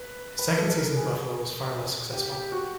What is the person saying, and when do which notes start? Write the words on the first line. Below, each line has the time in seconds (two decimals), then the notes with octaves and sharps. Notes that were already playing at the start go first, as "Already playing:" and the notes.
His second season in Buffalo was far less successful.
Already playing: B4
0.39 B4
0.58 A4
0.69 A4
0.78 A#4
0.97 G#4
2.13 G4
2.32 G4
2.52 F#4